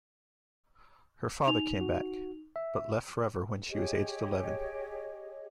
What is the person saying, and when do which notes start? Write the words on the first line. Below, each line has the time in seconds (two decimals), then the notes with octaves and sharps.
Her father came back, but left forever when she was aged eleven.
1.47 D#4 F7
1.81 F#4
2.56 E5
3.69 G4 G#4 C#5 D#5